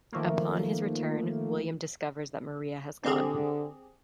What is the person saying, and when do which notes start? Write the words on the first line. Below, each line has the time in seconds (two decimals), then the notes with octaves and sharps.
Upon his return William discovers that Maria has gone.
0.13 D#3 F3 A3 A#3
3.05 D3 C4 G4 G#4